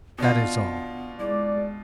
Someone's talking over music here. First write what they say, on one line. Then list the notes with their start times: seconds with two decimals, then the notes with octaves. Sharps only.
That is all.
0.18 B2 B3 D4 F4
1.19 G#3 E4 D5